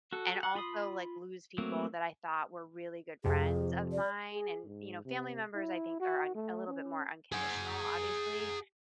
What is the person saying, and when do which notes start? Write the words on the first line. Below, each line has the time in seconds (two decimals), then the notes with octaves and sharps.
and also, like, lose people that I thought were really good friends of mine and, you know, family members I think are un a little bit more unconditional, obviously,
0.13 F#4 A4
0.43 F#5
0.55 F4 B5 C6 D#6
1.58 F#3 A3 A#3 C4 F#4
3.24 F2 C3 G#4
3.92 D5
4.34 G#4
4.66 G#2
5.05 C3
5.55 E4
6.00 F#4
6.35 A3
6.67 C#4
7.32 G#4 F#5